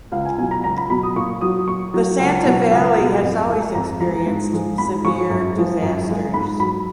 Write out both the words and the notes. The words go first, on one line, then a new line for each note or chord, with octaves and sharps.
The Santa Valley has always experienced severe disasters.
C#2 F5
G#5
B2 F#3 G#5
A#5
C#2 A#5
B5
B2 F#3 B5
D#6
A#2 C#6
F#3 D#6
A#2 C#6
F#3
C#2 F#5
B2 F#3 F#5
C#2 G#5
B2 F#3
F2
F3 G#3
F2 A#5
F3 G#3 A#5
G#2
F3 G#3
G#2 B5
F3 G#3 C#6
F#2
F3 G#3
F#2
F3 G#3
G#2 B5
F#3 B5